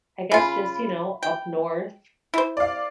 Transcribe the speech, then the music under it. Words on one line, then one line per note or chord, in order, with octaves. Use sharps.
I guess just, you know, up north
C#3 F4 B5
G5
E4 C5
D5 F5